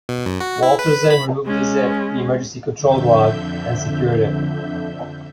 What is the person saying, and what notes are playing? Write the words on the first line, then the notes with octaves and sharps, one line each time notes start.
Walter Zinn removed the zip, the emergency control rod, and secured it.
B2
F#2
F#4
E4
B4
B5
G#3 C#4
F2 D3 E5 G6